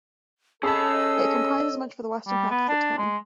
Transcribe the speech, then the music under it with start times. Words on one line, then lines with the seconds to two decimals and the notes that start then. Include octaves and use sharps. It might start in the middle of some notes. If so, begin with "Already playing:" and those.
It comprises much of the western half of the town.
0.63 C#4 G#4 A4 C#5 D#5 A5 B5 E6
2.28 G3
2.51 B3
2.69 D4
2.98 G#3